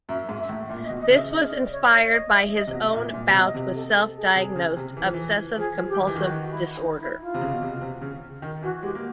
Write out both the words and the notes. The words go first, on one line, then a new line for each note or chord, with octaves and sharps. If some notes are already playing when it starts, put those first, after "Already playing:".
This was inspired by his own bout with self-diagnosed obsessive-compulsive disorder.
F#2 E5
G#2
E5
A2
A#2
D#5
B2
D#5
C#3
E5
D#5
D5
C#5
C#5
D#5
E5
D#5
C3
B2
E5
A#2
A#2
C3
B2
D#5
C3
A4
A4
G#4
C3
C#3
C3
E3
F3
E3
F3 G#4
F3
G4
D#3
E3
D#3 F#4
E4
D#4
E4
F4
C3
C#3
B2
C3
C3
C#3
D#3
E3 F#4
G#3 G4
A#3